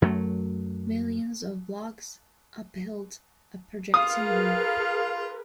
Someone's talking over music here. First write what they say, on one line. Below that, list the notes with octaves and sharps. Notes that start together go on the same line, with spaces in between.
Millions of logs upheld a projecting roof.
F#2 F#3 G3 A3
F4 G#4 A#4 B4 F5 D#6